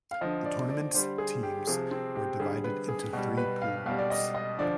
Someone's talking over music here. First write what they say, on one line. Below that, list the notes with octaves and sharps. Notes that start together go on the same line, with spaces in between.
The tournament's teams were divided into three pool groups.
F5
D3 F3 D#5
D5
D5
D3 G3 C5
G#4
G4
C3 F3 G#4
C4
G4
D3 G3 G#4
B4
G#4
B2 G3
B4
F5
B2 G3 F5
D5
D#5
D#5
D3 F3 D5